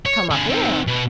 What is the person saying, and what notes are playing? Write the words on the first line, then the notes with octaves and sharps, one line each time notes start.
"Come up where?"
C#5
D3 G#4
D#3 C4
B2 B3